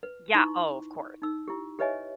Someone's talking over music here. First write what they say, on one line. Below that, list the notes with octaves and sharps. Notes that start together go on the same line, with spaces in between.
Yeah, oh, of cour
B4
D#4 E4 C6 C#6
D#4 E6
E4 G4
G4 B4 C#5 D#5 E5 G#5